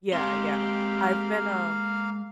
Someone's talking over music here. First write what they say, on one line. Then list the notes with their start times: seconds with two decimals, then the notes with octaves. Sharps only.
Yeah, yeah, I've been, um
0.13 G#3 A#3 C4 G4 F5 C6 F6